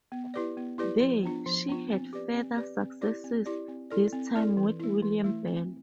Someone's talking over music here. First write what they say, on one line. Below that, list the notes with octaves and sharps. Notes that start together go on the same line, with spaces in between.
There she had further successes, this time with William Bell.
B3
E4 G4 B4 D5
B3
E4 G4 B4 D5
F3
B3 D4 F4
F3
B3 D4 F4
C4
G4 B4 D5
C4
G4 B4 D5
C4
E4 G4 D5
C4
E4 G4 D5
C4
E4 A4 D5
C4
E4 A4 D5
E3
A3 E4
E3
A3 E4
C4